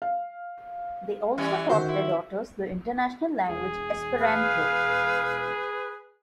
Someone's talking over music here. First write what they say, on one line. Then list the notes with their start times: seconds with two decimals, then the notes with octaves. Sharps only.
They also taught their daughters the international language Esperanto.
0.02 F5
1.38 E3 G3 C#4
1.69 D#3 F#4 C5
1.88 E4
3.49 E1 G#4
4.18 B4 F5